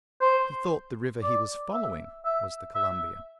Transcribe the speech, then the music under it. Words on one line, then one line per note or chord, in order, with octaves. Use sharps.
He thought the river he was following was the Columbia.
C5
D5
E5
E5
E5